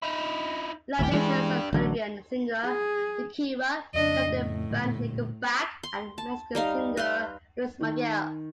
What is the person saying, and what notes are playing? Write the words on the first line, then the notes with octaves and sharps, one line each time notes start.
Live Nation signed Colombian singer Shakira, Canadian band Nickelback and Mexican singer Luis Miguel.
D#4 E4
G#1 D#2 A2 E4 G4
E3 F3 G#3 D4 G4
A1 D3 F#3
G#4
F2 C#3 D4 D#5
A2
A#2 D3 G3
C6
A5
G3 D#4 F5
B4 F5 C6
D#3